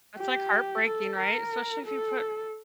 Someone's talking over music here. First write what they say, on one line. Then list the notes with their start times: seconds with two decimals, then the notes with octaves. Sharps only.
It's like heartbreaking, right? Especially if you put
0.18 G4
0.86 A4
1.18 A#4
1.86 A4